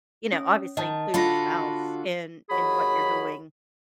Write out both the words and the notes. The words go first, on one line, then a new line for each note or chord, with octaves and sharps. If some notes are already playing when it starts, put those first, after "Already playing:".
you know, obviously include your spouse in in what you're doing
C#4
D#3 D#5 A5
D3 F4 F#4 A5 B5 A#6
D#2 F#3 G#4 B5